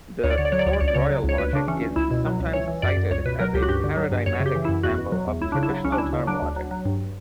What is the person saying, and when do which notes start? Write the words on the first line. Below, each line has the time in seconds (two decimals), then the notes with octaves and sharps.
The "Port-Royal Logic" is sometimes cited as a paradigmatic example of traditional term logic.
0.24 D2 C#5
0.30 D5
0.38 D3 C#5
0.45 D5
0.52 F#3 C#5
0.59 D5
0.66 D2 C#5
0.73 D5
0.80 C#2 C#5
0.88 D5
0.95 C#3 C#5
1.10 F#3
1.24 C#2 C#5
1.38 D2 B4
1.53 C#3 D4
1.68 E3 C#4
1.81 D2
1.96 C#2 E4
2.11 B2
2.25 F#3
2.40 C#2
2.53 E3 C#5
2.68 E3
2.82 F#2 D5
2.97 F#2
3.11 C#2 C#5
3.26 B2 B4
3.39 F#3 A#4
3.54 C#2 G4
3.62 F#4
3.69 G2 G4
3.84 D3
3.97 F#3
4.11 G2
4.26 F#2 C#5
4.40 C#3
4.46 G4
4.55 E3
4.65 F#2 E4
4.83 E2 F#4
4.98 B2
5.12 F#3
5.27 E2
5.41 C#2 E4
5.52 C#3 D4
5.63 E4
5.70 F#3
5.84 C#2 C#4
5.92 D4
5.98 D2 E4
6.13 C#3
6.27 F#3 D4
6.42 D2
6.56 F#3
6.71 F#3
6.85 G2